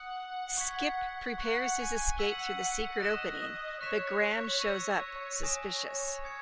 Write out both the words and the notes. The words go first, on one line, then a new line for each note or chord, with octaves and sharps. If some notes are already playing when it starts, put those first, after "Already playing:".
Skip prepares his escape through the secret opening, but Graham shows up, suspicious.
Already playing: F#5 D#6 F#6 C#7 F#7
C#6 G#6 B6
F#5 C#6 F#6 C#7
G#5
F#5 E6 B6 D#7 F#7
F#5
D#5 F#6 A#6 E7
C#5 F#6 B6 E7
E6 A#6 D#7
C#5 G#5 D#6 A#6 E7
D#6 G#6 C#7